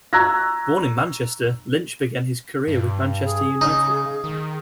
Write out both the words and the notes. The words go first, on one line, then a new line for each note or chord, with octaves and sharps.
Born in Manchester, Lynch began his career with Manchester United.
A#5 C#6 E6 F#6 G#6 A#6
G2
G#4
C#3 D#4
D#3